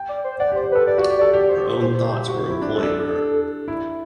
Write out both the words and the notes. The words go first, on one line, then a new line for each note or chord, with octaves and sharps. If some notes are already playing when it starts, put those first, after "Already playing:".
Her own thoughts were employing her.
Already playing: G5
D5
C5
D5 F#5
G4
C5
G4
A4 B4
G4 D5
F#4
D5
G4
A4 D5
G4 D5
C5
C5
C5
F#4
E4
D4
A4
D4
E4